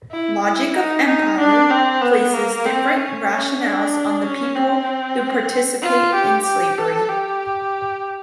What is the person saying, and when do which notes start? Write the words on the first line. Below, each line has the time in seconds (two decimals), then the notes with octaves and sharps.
"Logic of Empire" places different rationales on the people who participate in slavery.
0.11 E4
0.43 E4
0.75 D#4
1.06 D#4
1.39 D4
1.71 C4
2.01 B3
2.34 A#3
2.65 C4
2.97 C#4
3.29 C#4
3.60 D4
4.23 C#4
4.55 C4
5.82 F4
6.15 G4
6.46 G4
6.78 A4
7.09 G4